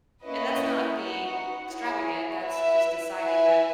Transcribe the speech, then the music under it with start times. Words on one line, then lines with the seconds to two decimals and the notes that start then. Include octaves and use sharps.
And that's not being e extravagant, that's just deciding that
0.23 A#3 C#4 E4 B4 D#5
0.96 D#4 F#4 B4 F#5
1.69 E4 G#4 C#5
2.42 E4 B4 E5
3.15 E4 B4 E5 G#5